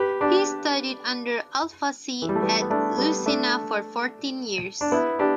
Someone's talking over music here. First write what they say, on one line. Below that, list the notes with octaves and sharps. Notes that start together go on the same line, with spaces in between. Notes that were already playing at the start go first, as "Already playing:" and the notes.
He studied under Alfasi at Lucena for fourteen years.
Already playing: G4 B4
D4 G4
E3
G3
A3
G3 B3
B3
A3 D4
G3 B3
A3 D4
D4
B3 E4
D4 G4